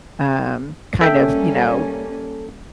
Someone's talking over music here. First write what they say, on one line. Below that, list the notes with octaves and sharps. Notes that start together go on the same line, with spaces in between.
um, kind of, you know,
G3 A#3 C#4 A4 E5 G5